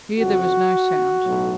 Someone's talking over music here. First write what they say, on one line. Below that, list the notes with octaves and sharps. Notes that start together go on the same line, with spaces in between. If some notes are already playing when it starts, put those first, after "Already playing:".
Here there was no sound.
F2 C#3 F3 F#4
B1 A2 F#3